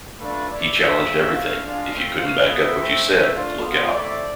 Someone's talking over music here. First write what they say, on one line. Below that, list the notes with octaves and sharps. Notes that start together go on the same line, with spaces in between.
He challenged everything, If you couldn't back up what you said, look out.
A3 D4 F4 B4
A3 E4 D5
G#3 C4 F4 E5
A3 C4 F4
A3 E4 F5
G#3 D4 F4
A3 C4 F4
A3 E4 F5
B3 E4 E5
A3 C4 E4
A3 C4 E4 E5
A3 D4 F4
B3 F4
A3 C4 E4 D5